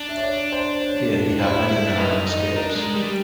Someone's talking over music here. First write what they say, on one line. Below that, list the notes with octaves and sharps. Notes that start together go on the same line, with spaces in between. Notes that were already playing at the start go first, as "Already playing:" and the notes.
Here he had many narrow escapes.
Already playing: D4
E5
C#5
D5
C5
C#5
E4 C5
E4
D4
D#4 B4
D#4
D4 A#4
G#3
G3